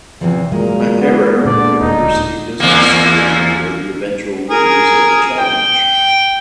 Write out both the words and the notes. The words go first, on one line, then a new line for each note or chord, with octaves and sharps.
Makerere University Business School were the eventual winners of the challenge.
E2 C3 E3 F3
A#2 F#3 G#3 A#4
B3
A#2 D3 D5
D#1 D#4
E2 A#3
G#4 A#4
G5